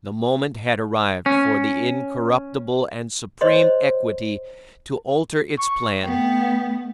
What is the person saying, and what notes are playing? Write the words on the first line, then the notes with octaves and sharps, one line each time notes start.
The moment had arrived for the incorruptible and supreme equity to alter its plan.
C#4
C5 C#5 D#5 C6
C#6
A3 B3 G5